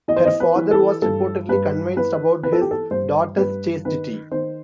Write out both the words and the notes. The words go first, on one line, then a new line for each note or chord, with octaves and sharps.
Her father was reportedly convinced about his daughter's chastity.
E3 D#5
C5
D#5
B4
E3
A4
G2 A4
G2 B4
E3 B4
E3 B4
A4
G4
A4
G2 C5
G2 B4
D#3 B4
D#3 C5